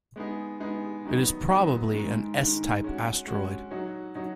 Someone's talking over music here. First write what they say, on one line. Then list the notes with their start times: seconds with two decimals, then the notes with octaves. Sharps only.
It is probably an S-type asteroid.
0.16 G#3 B3 D#4 G#4
0.60 G#3 B3 D#4 G#4
1.05 D#3 F#3 B3 D#4
1.49 D#3 F#3 B3 D#4
1.94 G#2 D#3 G#3
2.38 G#2 D#3 G#3
2.83 G#3 C#4 F#4
3.27 G#3 C#4 F#4
3.71 F#3 D#4 F#4 C#5
4.15 F#3 D#4 F#4 C#5